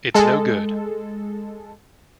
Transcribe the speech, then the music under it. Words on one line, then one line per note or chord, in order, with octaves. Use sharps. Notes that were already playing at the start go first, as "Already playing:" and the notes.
It's no good.
G#3 A4